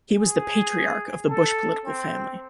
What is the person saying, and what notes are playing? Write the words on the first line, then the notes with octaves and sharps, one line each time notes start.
He was the patriarch of the Bush political family.
G#4
A4
C4